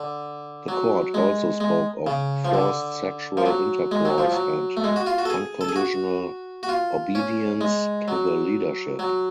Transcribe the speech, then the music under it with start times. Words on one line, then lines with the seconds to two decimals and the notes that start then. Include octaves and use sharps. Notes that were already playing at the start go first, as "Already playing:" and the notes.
The court also spoke of "forced sexual intercourse" and "unconditional obedience" to the leadership.
Already playing: D3
0.68 F#3
1.14 G#3
1.60 G#3
2.07 C#3
2.45 F3
2.54 D3
3.37 F3
3.46 F#3
3.91 G#3
4.05 F#3
4.18 F3
4.32 F#3
4.77 A3
4.84 G#3
4.96 F#4
5.06 F4
5.18 F#4
5.25 A4
5.30 G#4
5.61 A4
5.69 G#4
5.76 F#4
6.63 F#4
6.69 F4
7.15 C#4
7.61 G#3
8.08 F#3
8.99 F#3